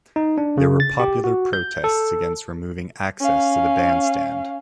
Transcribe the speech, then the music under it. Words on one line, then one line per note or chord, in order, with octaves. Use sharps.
There were popular protests against removing access to the bandstand.
D#4
D4
C#3
A6
G4
F#4
G6
A4
C#4 F5